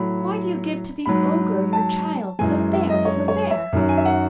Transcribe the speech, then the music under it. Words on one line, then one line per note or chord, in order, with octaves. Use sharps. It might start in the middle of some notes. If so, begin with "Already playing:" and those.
Why do you give to the ogre Your child, so fair, so fair?
Already playing: A2 F#3 B5
G#2 F#3 B5
A5
F#2 E3 G#3 G#5
E5
D#5
C#5
C#5
E5
F#2 D#3 F#3
G#5
E5
F#5